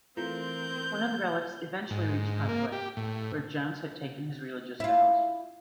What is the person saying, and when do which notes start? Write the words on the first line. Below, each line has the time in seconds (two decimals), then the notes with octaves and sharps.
One of the relics eventually reached Pontoise, where Jones had taken his religious vows.
0.17 E3 A3 C4 F4 A#4 A#5 G6
1.90 G#2
2.49 A#3
2.72 G4
2.97 A2
4.80 E4 F4